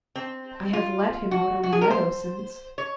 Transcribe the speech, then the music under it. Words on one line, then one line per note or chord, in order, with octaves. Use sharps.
"I have let him out on the meadow since."
C4
F4
F#4
F#4
G#4
A#4
C5
C#5